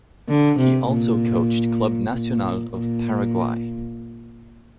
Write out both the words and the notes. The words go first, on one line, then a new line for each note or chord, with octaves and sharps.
He also coached Club Nacional of Paraguay.
D3
C3
A#2
A#2
A#2